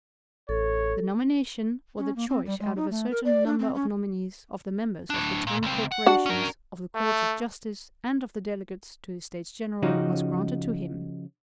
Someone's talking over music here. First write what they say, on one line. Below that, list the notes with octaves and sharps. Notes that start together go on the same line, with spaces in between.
The nomination, or the choice out of a certain number of nominees, of the members of the Town-Corporations, of the Courts of Justice and of the delegates to the States-General, was granted to him.
A1 A4 C#5
C#4
A#3
C4
G3
G#3
D#4
A3
A#4
D5
D4
C4
C#4
A2 D4
A#2
C#2 C4
F#5
D4 F#4
C#4 A#4
A3
C#3 F3 C#4 D#4 F#4 G4